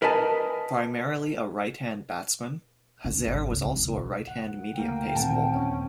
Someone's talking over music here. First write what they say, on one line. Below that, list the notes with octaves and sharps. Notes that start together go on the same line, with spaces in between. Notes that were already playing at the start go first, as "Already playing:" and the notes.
Primarily a right-hand batsman, Hazare was also a right-hand medium-pace bowler.
A#4 B4 D#5 G#5 A5
F#2 D3
G#1
C#2
B1
F#5
D2 A#3 G5
A#2 D#3 C4 F#5 G#5 A5
D#2 C#4